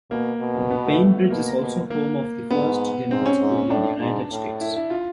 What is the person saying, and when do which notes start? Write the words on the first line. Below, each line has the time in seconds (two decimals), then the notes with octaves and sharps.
Bainbridge is also home of the first dental school in the United States.
0.11 B2 A#3
0.40 B2
0.70 B3
0.86 A3
1.30 B2 A#3
1.61 B2
1.90 A#3
2.50 G#2 B3
3.10 G#2 C4
3.26 C#4
3.41 G#2
3.70 A2 D4
4.00 G#2
4.31 A2
4.61 E4
4.76 E4
4.90 F4